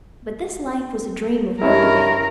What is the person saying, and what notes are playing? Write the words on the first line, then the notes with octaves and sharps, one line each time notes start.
But this life was a dream of workaday.
G2 C#4 E4 A#4